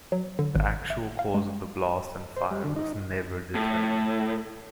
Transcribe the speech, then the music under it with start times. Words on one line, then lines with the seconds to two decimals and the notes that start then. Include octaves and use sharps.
The actual cause of the blast and fire was never determined.
0.12 F#3
0.39 D3
0.55 G#1
0.90 E5
1.19 F5
1.34 G#3
2.36 C5
2.51 G3
2.64 D3
2.76 D#4
3.55 A2